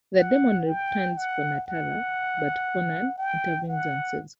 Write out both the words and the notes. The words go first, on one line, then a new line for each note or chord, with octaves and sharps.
The demon returns for Natala, but Conan intervenes and saves her.
F#5
G5
F#5
F#5
G5
F#5